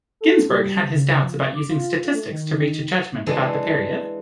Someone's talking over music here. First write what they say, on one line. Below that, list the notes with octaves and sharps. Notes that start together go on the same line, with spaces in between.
Ginzburg had his doubts about using statistics to reach a judgment about the period.
A4
G3
C#3
F3
D6
F4
A3
D#3
E3 G#3 D4